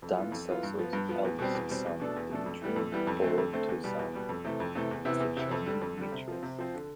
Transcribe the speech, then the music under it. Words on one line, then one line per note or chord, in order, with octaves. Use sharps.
Don Celso's eldest son Demetrio "Bolo" Tuason is the Chairman Emeritus.
F2
E3 B3 F4
F2
E3 B3 F4
G2
F3 B3
G2
F3 B3
E2
B2 G3 C4
E2
B2 G3 C4
E2
B2 A3 D4 A4
E2
B2 A3 D4 A4
F2
E3 G3 B3
F2
E3 G3 B3
F2
D3 A3 C4
F2
D3 A3 C4
E2
B2 G3 B3
E2
B2 G3 B3
F2
C3 E3 A3
F2
C3 E3 A3
E2
C3 E3 B3 E4
E2
C3 E3 B3 E4
F2
D3 G3
F2
D3 G3
C3
F3 C4
C3
F3 C4
D3